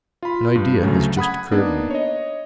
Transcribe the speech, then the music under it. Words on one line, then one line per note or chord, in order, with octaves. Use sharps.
"An idea has just occurred to me."
F4 B5
G2
D2 C#3 F#3 A3
F#5 B5 D#6 G#6
A#3 B3 D4 D#4
C#5 D#5